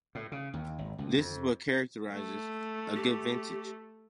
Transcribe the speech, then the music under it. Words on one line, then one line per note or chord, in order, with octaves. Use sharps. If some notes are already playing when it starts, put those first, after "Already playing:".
This is what characterizes a good vintage.
A2
C#3
D#2
G#1
C#2
F2
A3
G4